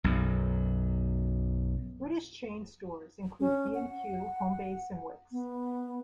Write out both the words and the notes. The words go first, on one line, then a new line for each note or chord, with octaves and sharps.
British chain stores include B and Q, Homebase, and Wickes.
B1 F#2
C#4
F#5
B3